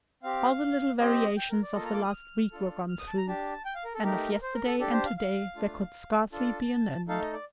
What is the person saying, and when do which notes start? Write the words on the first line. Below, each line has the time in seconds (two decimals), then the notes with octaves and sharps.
All the little variations of the last week were gone through; and of yesterday and today there could scarcely be an end.
0.23 C4 G4 F5
0.98 C4 G4 D#5
1.37 G5
1.50 A#4
1.63 D5
1.74 A#3 F4 A4 D#5
1.85 A#5
1.93 D6
2.04 D#6
2.13 F6
2.52 D4 F4 A4
2.89 F6
2.99 D#6
3.08 A5
3.17 A#5
3.27 D4 G4 A5
3.65 G5
3.75 F5
3.85 A#4
3.95 A4
4.03 A3 D#4 G4 A#4
4.42 C5
4.54 A#4
4.67 A4
4.79 D4 G4 A4
4.93 C5
5.05 F5
5.17 F5
5.56 A3 D4 F4
6.32 D4 F4 A4 A5
7.08 A3 D#4 A4 F5
7.20 D#5
7.33 D5